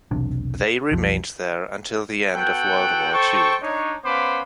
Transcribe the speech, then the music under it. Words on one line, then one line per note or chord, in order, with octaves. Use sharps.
They remained there until the end of World War II.
E1 B1 C3 D4
B1 F2 F3
B3 F#4 A4 F#5 G5
A4 C5 G5 A5 C#6
D4 D#4 C#5
B3 C#4 C5 F5 B5 D6